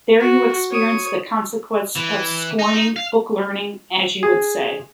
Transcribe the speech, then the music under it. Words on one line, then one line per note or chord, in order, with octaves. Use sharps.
There you experience the consequence of scorning “book-learning,” as you would say.
F#4
C#5 D#6
E3
D#4
F5
G#4